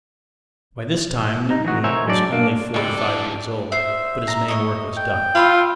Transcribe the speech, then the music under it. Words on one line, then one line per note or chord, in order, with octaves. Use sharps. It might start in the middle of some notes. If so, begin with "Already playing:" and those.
By this time Newton was only forty-five years old, but his main work was done.
D#4
E3 D#4 F#4
A#4 C5 C#5 E5 G#5
F#3 G#3 D4 D5
A#3 D4
C#2 G3 G#3 C4 F#4 A4 D5
E3 D4
C5 E5
A#5
C#5 D#5
G5
F4 B5 C#6 E6